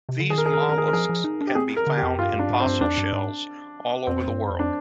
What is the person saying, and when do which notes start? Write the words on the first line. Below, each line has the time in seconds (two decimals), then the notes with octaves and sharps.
These molluscs can be found in fossil shells all over the world.
0.09 C3
0.20 D3
0.30 D#3 G#4
0.38 A#4
0.46 G#4
0.53 A#4
0.62 G#4
0.69 A#4
0.78 G#4
0.88 A#4
0.93 F3 G#4
1.09 F3
1.24 D#4
1.41 D4
1.47 G4
1.55 C4 G#4
1.76 A#4
1.87 D3
1.97 G4
2.03 F2
2.19 G2 F4
2.34 G2
2.39 D4
2.50 G#2
2.60 C4
2.66 G2
2.81 F2 D4
2.98 G2
3.13 G#2
4.07 F2 C4
4.28 G2
4.49 F2
4.60 D4